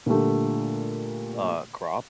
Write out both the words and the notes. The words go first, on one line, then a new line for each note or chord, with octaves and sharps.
uh, crop,
A#2 D3 G3 A3